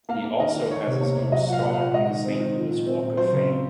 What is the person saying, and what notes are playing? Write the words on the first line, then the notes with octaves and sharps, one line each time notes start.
He also has his own star on the Saint Louis Walk of Fame.
A#3 F5
A#3
D#3 D#5
D#3
D#3 C#5
C3
A#3 C#5
C3
F#3 D#5
A#2 F#5
F5
A#3 F#5
A#2 F5
G#3 D#5
D#3
C4
D#3
F3
A#2
C4
A#2
F#3 C5
C#3
C4